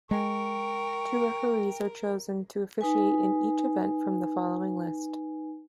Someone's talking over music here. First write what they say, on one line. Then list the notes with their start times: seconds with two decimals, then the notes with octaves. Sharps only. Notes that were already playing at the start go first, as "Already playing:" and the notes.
Two referees are chosen to officiate in each event, from the following list.
0.11 G#3 A#4 G5 C#6
2.81 D#4 B4 G#5